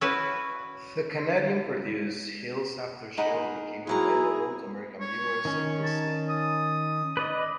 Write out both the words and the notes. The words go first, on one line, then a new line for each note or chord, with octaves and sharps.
The Canadian-produced "Hills Aftershow" became available to American viewers at this time.
C#4 E4 F#4 B4
D#4 G#4 A#4 F#5 B5
E2 F#3 E4 G#4 A#5
C#5
D#3 C#4
A5
D#6
B4 D5 D#5